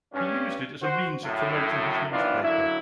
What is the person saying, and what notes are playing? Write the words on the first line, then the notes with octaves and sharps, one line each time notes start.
He used it as a means of promoting his newspaper.
G2 C#4
F#4 C5
F#2 A2
D#3 E3 F#3 B3 D4 F4
F#2 D3 F#3 A#3 E4